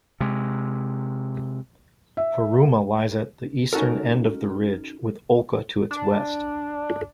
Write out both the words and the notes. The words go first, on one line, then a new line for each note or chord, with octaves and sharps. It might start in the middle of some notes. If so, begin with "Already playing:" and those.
Paruma lies at the eastern end of the ridge, with Olca to its west.
C3 G#3
E5
C#4 D#4 F#4 A4 A#4
D4